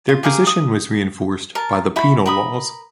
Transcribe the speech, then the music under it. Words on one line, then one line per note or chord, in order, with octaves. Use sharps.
Their position was reinforced by the Penal Laws.
F4
G4 G#4 A#4 F5
D#6
A#4 A5
E4 F#4 B5
A#4 B5 D#6